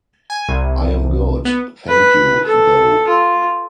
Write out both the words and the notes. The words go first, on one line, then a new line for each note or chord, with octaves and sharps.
I am good, thank you though!
G#5
C2
B3
B4
A4
F4